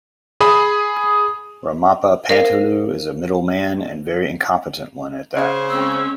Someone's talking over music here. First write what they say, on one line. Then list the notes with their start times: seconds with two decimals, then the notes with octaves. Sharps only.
Ramappa Panthulu is a middle man and very incompetent one at that.
0.40 G#4 B5 D#6
2.29 A#4 C5 F5
5.36 C#3 C5 G#5
5.70 G#3 C4 C#4 E6